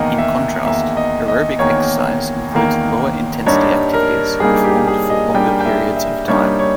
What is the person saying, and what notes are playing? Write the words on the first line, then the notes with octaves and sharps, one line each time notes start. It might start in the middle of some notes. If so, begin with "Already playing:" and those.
In contrast, aerobic exercise includes lower intensity activities performed for longer periods of time.
Already playing: E2 D#3 A#3 D#5
E5
E2 D#3 A#3 E5
D#5
D#5
E2 D#3 A#3 C#5
E2 D#3 A#3
G2 G3 A#3 D#4 C#5
A#4
G2 G3 A#3 D#4 G#4
G4
G#4
D#5
G2 G3 A#3 D#4 G5
G5
E5
E5
G2 G3 A#3 D#4 C#5
C#5